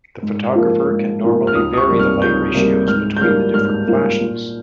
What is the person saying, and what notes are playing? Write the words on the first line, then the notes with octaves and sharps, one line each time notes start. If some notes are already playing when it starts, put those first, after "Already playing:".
The photographer can normally vary the light ratios between the different flashes.
G#2
F3 A#3 F4
G#2
F3 A#3 F4
F6
C#2 D#6
D#6
C#6
C3 G3 A#3
F6
C#2 G6
C3 G3 A#3
G#2 F6
G6
G3 A#3 F4 F6
G#2 F6
G3 A#3 F4
A#2